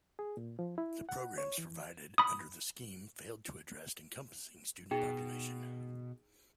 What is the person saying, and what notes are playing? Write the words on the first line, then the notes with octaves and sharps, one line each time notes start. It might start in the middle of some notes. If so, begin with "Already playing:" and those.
The programs provided under the scheme failed to address encompassing student population.
G#4
A#2
F3
E4
F#5
C#5
E3
B5 D#6
B2 D#4 G#4 G5